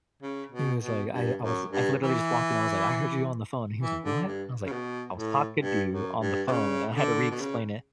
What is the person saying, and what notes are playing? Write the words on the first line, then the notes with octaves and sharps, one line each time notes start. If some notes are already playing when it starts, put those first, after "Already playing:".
He was like I I was I literally just walked in. I was like, "I heard you on the phone." He was like, "What?" I was like, "I was talking to you on the phone," and I had to re-explain it-
C#3
B2
B2
G2
F#2
G2
E3
E3
D3
G2
C#3
B2
A2
G2
F#2
G2
B2
C#3
D3
B2
C#3